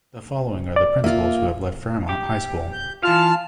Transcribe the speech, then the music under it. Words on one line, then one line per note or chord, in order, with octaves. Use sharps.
The following are the principals who have led Fairmont High School.
D5
A#3 F4 E5
G4
G6
E3 F4 F5 A5 F6